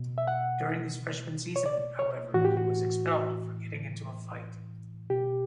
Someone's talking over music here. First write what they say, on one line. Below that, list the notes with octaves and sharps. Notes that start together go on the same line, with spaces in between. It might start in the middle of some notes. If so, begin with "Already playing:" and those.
During his freshman season, however, he was expelled for getting into a fight.
Already playing: B2
E5
F#5
C#5
D5
C#5
A2 E3 F#4
G4
F#4
B2 G4